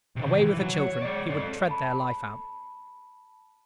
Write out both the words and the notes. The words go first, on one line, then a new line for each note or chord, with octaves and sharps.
Away with the children: he would tread their life out!
C3 D#3
E3
F#3
C#5
G#3 D5
C4 A4
A5 B5